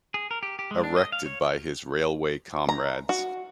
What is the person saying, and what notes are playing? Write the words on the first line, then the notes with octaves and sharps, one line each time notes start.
Erected by his railway comrades.
G#4
A#4
G4
G4
G#3
D4
D#5
F5
C#5
A#5
F#4